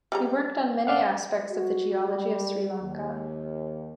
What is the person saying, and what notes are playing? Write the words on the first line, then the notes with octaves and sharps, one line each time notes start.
He worked on many aspects of the geology of Sri Lanka.
G3 G#3 A#5
D5 F5 F#5
F#4
G3
D#2